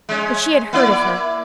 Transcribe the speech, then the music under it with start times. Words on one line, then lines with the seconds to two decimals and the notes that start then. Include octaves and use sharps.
But she had heard of her.
0.09 G#3 C#4
0.73 A#3 E4 D5